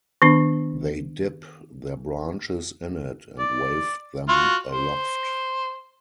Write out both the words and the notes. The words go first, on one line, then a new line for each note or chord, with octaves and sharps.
They dip their branches in it and wave them aloft.
D#3 B3 D4
D5
F4 F#4
C5